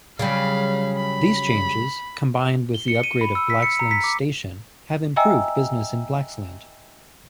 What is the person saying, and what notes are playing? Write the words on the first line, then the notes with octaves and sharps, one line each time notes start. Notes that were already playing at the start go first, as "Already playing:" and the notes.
These changes, combined with the upgrade of Blaxland Station, have improved business in Blaxland.
C#3 F#3 G3 F5 B5
B5
G7
C#7
D#7
B5
E6
B6
C#7
A#5
B6
D6
D#5 E5 G5 G#5 A#5 E6